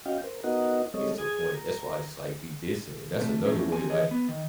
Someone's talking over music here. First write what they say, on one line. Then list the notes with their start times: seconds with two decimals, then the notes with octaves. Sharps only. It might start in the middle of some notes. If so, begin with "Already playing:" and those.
gets to a point, that's why I just like be distant, and that's another way, like,
0.06 C#4 F#4 D#5 F5 G5
0.24 A#4 C5
0.44 B3 D#4 F#4 A#4 D#5 F#5
0.94 G3 G#3 C4 A4 C#5 D#5
1.18 G#4 D#6 G#6
1.54 A#5
3.21 C3 A3
3.46 E3 F3 A3 A#3 C#4
3.72 F3 C4 G#5
3.90 E3 G#4 D#5
4.11 B3
4.29 D#3